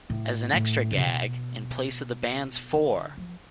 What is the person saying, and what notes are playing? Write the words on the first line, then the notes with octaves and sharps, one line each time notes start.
As an extra gag, in place of the band's Fore!
A2
A2
C#3
B2
D3
F3